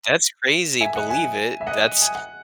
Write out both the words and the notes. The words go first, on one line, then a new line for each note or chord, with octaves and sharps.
That's crazy, believe it, that's
E5 G#5
D#5 F#5
E5 G#5
E5
D#5 F#5
G#5
F#5